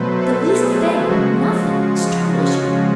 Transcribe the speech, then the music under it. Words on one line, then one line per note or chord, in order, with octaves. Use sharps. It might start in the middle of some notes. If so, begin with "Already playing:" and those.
The least thing--nothing--startles you!
Already playing: B2 F#3 A3 B4 C5
A4
G#4
C#3 F3 G#3 F#4
F4
C#4